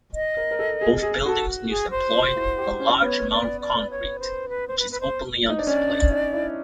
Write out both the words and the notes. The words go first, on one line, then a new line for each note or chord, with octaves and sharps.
Both buildings use employed a large amount of concrete, which is openly on display.
D#5
A#4
A#4
A4
G#4
G#4
F#4 A4
G#4
C5
F4
E4
G4
C#4
B3 C#5
D5
D5
C#5
C5
B4
C5
B4
B4
C5
D#4
D4
C#4 D5
D4
D#4
E4